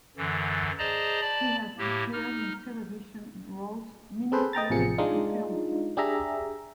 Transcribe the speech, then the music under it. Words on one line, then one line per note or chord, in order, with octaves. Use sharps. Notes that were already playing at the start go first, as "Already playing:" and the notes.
He has appeared in television roles, mini-series and films.
F#2 D3 E3
G#4 C5 D5 D#5 A5 A#5
D5 A5 B5
A2 A#3 G4
D#4 F6
C4 G#4 A4 B4 C5
D#5 G5 A#5 A6
A1 C3 F3 G#4 C#7
G#3 D4 D#4 F4
D4 G4 G#4 E5 A#5